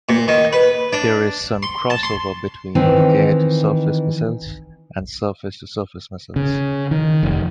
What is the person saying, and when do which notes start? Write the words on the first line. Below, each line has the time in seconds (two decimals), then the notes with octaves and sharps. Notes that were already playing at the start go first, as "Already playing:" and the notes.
There is some cross-over between air-to-surface missiles and surface-to-surface missiles.
0.09 A#2
0.28 D#3
0.53 B4
0.93 D4
1.63 C6
1.90 A5
2.03 C6
2.75 D#3 E3 C4
6.36 C#3
6.91 D#3
7.23 F1